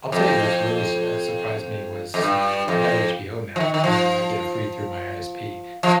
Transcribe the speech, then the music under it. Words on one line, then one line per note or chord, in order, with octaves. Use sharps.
I'll tell you what's really s eh, surprised me was, um, I got HBO now, and I get it free through my ISP,
F2
F2
G2
F2
F3
D#3
D#3
F3
F3